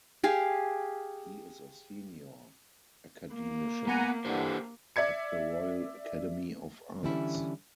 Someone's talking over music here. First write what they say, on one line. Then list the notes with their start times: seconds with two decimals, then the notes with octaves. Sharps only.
He is a Senior Academician at the Royal Academy of Arts.
0.24 G4 G#4 F5
3.34 A#3
3.87 B3 F#5 G#5 A#5
4.25 G2 D3 E3 D4 G4 C5
4.96 D5 E5 G#6 C#7
7.03 D3 E3 G3 C#4 E4 E5